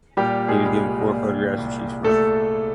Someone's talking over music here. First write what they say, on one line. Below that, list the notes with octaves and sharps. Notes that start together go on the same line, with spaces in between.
He was given four photographs to choose from.
A#2 G3 G4
G#3 G#4
C2
A#2
C2
C2 A3 A4